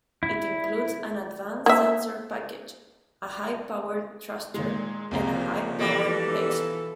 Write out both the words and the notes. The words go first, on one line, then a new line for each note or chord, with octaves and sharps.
It includes an advanced sensor package, a high-powered thruster, and a high-powered laser.
E4
A#3 E5
A#2 D#3 G#3
C2 A#2 C#3 F3 C4 A#5
B2 E3 F3 G3 A#3 A4